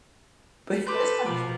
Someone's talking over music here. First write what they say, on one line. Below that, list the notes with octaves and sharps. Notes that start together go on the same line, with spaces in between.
but in this one,
G4 A4 B4 C6 G6
B2 F3 G4 A#4 B4